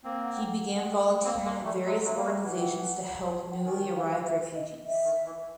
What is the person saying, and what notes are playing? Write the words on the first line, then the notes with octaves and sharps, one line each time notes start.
He began volunteering at various organizations to help newly arrived refugees.
A#3 C4 G5
F#5
F#5
F#5
G5
A#3 C4 F5
G#3 A#3
G3 A3
F#3 G#3 E5
F#3 G#3 E5
A#3 F5
G3 A3
E3 F#5
G5
F#5
F#5
G5
D#3 G#5
G#5
G5
F5
F5
E5
D#5
E5
D#3
E3